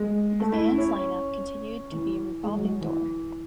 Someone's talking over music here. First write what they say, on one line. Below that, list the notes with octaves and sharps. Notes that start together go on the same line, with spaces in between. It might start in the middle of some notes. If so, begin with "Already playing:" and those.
The band's lineup continued to be a revolving door.
Already playing: G#3
A3
E4
E4
C#4
E3
G#3
F#3
E3